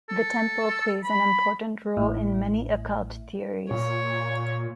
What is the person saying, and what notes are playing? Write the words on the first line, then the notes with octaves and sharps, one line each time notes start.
The temple plays an important role in many occult theories.
A4
B5
A1 A2
A#2 C#5